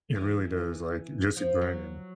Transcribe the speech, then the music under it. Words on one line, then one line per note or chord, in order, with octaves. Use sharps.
It really does, like, just grinding.
E3
F3
F#3